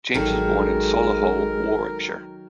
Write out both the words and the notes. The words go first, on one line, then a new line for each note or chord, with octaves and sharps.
James was born in Solihull, Warwickshire.
A1 D#3 F#3 G#3 A4 A#4